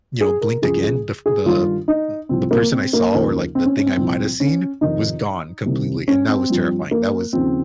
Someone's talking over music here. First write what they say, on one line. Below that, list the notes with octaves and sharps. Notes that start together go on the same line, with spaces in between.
you know, blinked again, the f the e the person I saw or, like, the thing I might have seen was gone completely, and that was terrifying that was
G#4
A#4
C#2 C#3 F3 G#4
G#4
G#4
G2 D#3 F4
D#4
C2 C3 F3 C4
A#3
C4
A#3
D#2 C#3 F3
C4
C#4
C#4
C4
C2 A#2 F3 C4
C#4
F2 C3 D#3 D#4
C2 C3 D#3
C#4
C4
G2 F3
A#3
D#2 C#3 F3 C4